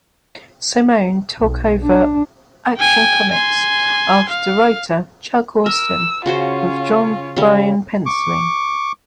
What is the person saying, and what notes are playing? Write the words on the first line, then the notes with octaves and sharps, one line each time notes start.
Simone took over "Action Comics" after writer Chuck Austen, with John Byrne penciling.
B1
D4
G5 G#5
G#5 C6
F5
A#4 E6
C#3 C#4 F4 F#4 C5
C#3 G3
C#6 D6